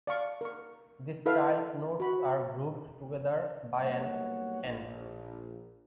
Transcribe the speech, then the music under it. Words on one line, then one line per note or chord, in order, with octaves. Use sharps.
These child nodes are grouped together by an "and".
D5 F5 C#6
A#4 C#6
E4 A4 B4 E5 F5
F#4 B5
B1 G3 A#3 C#5 F#5
A#1